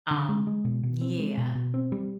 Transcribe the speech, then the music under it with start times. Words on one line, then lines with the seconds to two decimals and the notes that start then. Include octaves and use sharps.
Um, yeah.
0.11 D3
0.29 G#3
0.47 G#3
0.65 B2
0.83 B2
1.01 C4
1.19 G#3
1.38 B2
1.55 B2
1.74 C4
1.92 G3